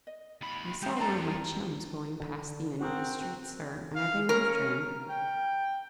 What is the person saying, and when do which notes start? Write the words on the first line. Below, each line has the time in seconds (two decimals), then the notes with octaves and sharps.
I saw one of my chums going past the end of the street, sir, and I ran after him.
0.07 D#5
0.42 D#2 B5
0.82 G#3 A#3 G4
0.97 C4 D4 A4 A#5
2.20 D3
2.80 C4 F#4 G#4 A#4 F#5
3.95 F5
4.29 C#4 A#4
5.09 G5